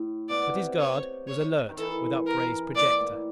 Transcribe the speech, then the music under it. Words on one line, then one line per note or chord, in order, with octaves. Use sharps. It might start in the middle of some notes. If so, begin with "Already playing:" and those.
But his guard was alert with upraised projector.
Already playing: A2
B2 D5
C3
C#5
C#5
D#3
E3 A4
A#4
A#2 D5
A2